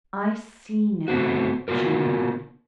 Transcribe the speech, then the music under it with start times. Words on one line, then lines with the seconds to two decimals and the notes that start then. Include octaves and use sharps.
"I see now," she murmured.
1.08 A3 B3 C4 F#4
1.68 A#3 B3 F4 F#4 A#4